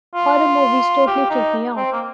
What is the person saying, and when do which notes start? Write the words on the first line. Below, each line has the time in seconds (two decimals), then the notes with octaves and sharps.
Horror movies totally freak me out.
0.15 F4
1.07 G4
1.30 D#4
1.77 C4
1.93 A#3